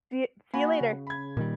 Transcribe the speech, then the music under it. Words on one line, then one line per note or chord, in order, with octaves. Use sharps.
See y see you later.
A#3 F#4 G#5 B5
C#3
B5 G#6
A#2 D#3 G3